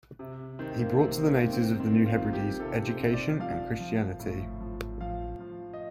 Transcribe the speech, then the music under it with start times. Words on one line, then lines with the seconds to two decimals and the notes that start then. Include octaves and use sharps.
He brought to the natives of the New Hebrides education and Christianity.
0.19 C3
0.59 D#3 C4
0.79 A#3
0.99 C3 C4
1.26 A#3
1.39 D#3
1.53 C4
1.80 D#3 C4
2.06 F4
2.20 D#3
2.33 G4
2.60 C3 A4
2.87 C5
2.99 C3
3.13 D5
3.40 F3 F5
3.80 F3
4.20 A2
4.61 F3
5.01 F3 F5
5.40 F3
5.73 D#5